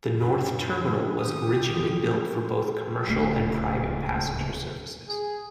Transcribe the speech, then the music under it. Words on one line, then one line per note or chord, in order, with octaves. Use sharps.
The North Terminal was originally built for both commercial and private passenger services.
F#2 F#3 G3 D4 B5
A2 D#3 C#4 G4 D#6
G1 F4
D1 C#2 A3 A#3
G#4